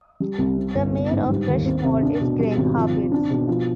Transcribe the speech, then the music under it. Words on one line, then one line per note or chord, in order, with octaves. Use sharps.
The mayor of Rushmore is Gregg Harberts.
G3
C2
C3
G1
B3
G#2
G3
D#2
C4
C3
D4
B2
G3
G#1
F3
G#1
D4
B2
F3